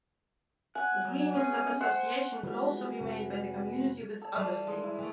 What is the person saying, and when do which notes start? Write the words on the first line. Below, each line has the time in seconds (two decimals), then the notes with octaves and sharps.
Agreements of Association could also be made by the Community with other states.
0.75 F#5 G#5
1.05 F#3
1.35 B3 C#4 G#4
1.81 C5 F#5
2.43 E3 F3 G3 G#3 F#4 B4
3.01 F2 C3
4.21 A4
4.36 E3 F3 G3
4.67 G#3
4.84 E4
4.98 E3 A3